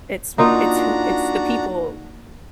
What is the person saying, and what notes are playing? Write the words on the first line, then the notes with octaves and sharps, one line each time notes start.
it's w it's who it's the people
A#3 D4 D#4 F4 F#4 A#5